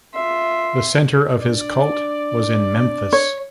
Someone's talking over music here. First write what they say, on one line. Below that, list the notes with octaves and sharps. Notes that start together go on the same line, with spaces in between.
The center of his cult was in Memphis.
F4 E5 C6
D4 D5
C#5